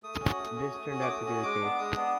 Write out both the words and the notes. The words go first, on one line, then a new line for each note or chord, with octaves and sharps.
This turned out to be the case.
A3 D#6
C#4 F#4
A3
C#4 F#4
A3
C#4 F#4
D6
A3 D#6
C#4 F#4
G#3 D6
B3 D4
G#3 D#6
B3 D4